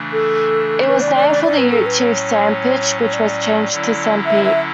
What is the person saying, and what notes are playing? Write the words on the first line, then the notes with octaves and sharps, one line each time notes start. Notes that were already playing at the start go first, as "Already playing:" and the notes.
It was named for the Ute chief Sanpitch, which was changed to Sanpete.
Already playing: C#3 E3 A3 D4
A4
B4
D5
D5
D5
A2 F#3 C#4 D5
B4
A4
B4
C#5
C#5
D5
D3 F#3 C#4 E4
E5
E5